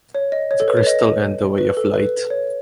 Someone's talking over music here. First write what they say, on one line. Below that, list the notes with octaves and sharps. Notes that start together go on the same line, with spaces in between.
The Crystal and The Way of Light.
C#5
D#5
C#5
A4
B4
C#5
D#5
B4
A4
B4
C#5